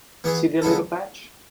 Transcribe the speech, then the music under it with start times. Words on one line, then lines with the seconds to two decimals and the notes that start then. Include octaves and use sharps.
See that little patch?
0.24 E3 B3 E4 G#4
0.62 C#3 G#3 B3 E4 A4